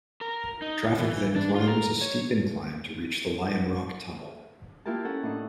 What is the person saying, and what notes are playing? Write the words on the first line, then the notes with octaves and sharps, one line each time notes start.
Traffic then climbs a steep incline to reach the Lion Rock Tunnel.
A#4
D#4
E3
D4
F4
A#4
C#5
A#3 E4 F4 G4 A#4 A5
C#4 A4 F#5
A2 D4 D#4